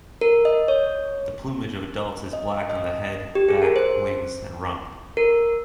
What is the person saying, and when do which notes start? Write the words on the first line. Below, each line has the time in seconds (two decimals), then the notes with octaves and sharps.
The plumage of adults is black on the head, back, wings and rump.
0.21 A#4
0.45 D#5
0.68 C#5
2.33 D#5
2.70 D#5
3.35 G4
3.49 G#4
3.62 A#4
3.76 C5
5.17 A#4